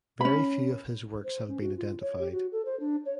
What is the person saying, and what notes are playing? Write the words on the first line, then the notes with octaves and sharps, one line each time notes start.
Very few of his works have been identified.
C#4 B5
C5
C#4
F#4
F4
C#5
G4
F#4
A4
C5
D4
C#5